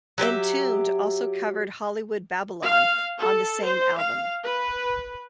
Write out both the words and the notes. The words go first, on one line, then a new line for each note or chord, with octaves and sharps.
Entombed also covered "Hollywood Babylon" on the same album.
F#3 G4 B4 E5
F5
A4
C5
F5
B4